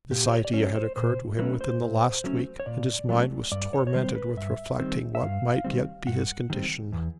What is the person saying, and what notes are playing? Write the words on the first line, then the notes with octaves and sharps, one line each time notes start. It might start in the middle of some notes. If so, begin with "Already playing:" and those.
This idea had occurred to him within the last week, and his mind was tormented with reflecting what might yet be his condition.
A#2 G4
C5
C#5
D5
F#3 A3 C#4 C#5
C5
A#2 C5
F#3 A3 C#4 B4
C5
A#2
F#3 A3 C#4
C#5
A#2 D5
F#3 A3 C#4
G2 D5
C#5
C#5
D#3 G3 C4 C5
B4
G2 E5
D#3 G3 C4
E5
G2 F5
D#3 G3 C4
G2 F#5
D#3 G3 C4
E2